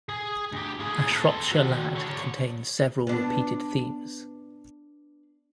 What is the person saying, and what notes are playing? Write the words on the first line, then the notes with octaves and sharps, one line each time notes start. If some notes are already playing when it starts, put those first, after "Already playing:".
"A Shropshire Lad" contains several repeated themes.
G#4 G#5
D2 G4
A2 G#4
A4 C5
D#3 F#4
D3 C#5
B3 D4